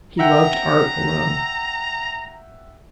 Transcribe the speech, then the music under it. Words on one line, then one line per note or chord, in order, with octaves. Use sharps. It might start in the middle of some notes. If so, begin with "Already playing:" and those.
He loved art alone.
E5 F#5 G5 A#5